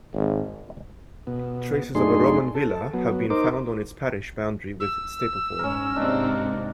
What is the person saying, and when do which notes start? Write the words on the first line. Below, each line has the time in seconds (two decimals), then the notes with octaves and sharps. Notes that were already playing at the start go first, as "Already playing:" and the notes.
Traces of a Roman villa have been found on its parish boundary with Stapleford.
0.14 G#1
1.27 B2
1.95 F#2 A3 D4 D#4 G#4 C6
2.55 A4
2.94 F#3 B3
3.30 D#4 A#4 C5 D6
4.80 E6
5.59 G#2 C#4 A#4
5.96 G#2 C3 A#3 C4 D4 D#4